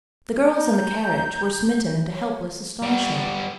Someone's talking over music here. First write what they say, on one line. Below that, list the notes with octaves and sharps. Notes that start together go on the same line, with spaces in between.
The girls in the carriage were smitten into helpless astonishment.
A#5 G6
C#5
G3 B3